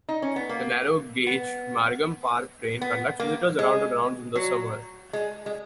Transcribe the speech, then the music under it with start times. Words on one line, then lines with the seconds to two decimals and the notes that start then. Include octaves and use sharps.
The narrow gauge Margam Park Train conducts visitors around the grounds in the summer.
0.09 D#4
0.22 C#4
0.36 B3
0.49 A#3
1.27 B3
2.81 B3
3.20 A#3
3.59 G#3
4.35 F#3
5.13 G#3
5.46 G#3